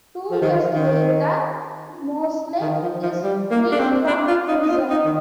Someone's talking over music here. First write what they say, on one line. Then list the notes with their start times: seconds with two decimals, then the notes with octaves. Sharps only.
Two years later, Mosley is freed from prison.
0.31 F3
0.42 D#3
0.51 F3
0.74 D#3
2.61 D#3
2.82 F3
3.02 F3
3.23 G3
3.51 A#3
3.71 D4
3.79 C4
4.07 D4
4.28 F4
4.48 D#4
4.62 D#4
4.70 F4
4.90 D#4
5.05 D#3